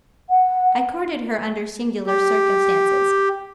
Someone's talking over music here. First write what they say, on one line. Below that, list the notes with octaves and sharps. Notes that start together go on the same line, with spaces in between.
I courted her under singular circumstances.
F#5
G4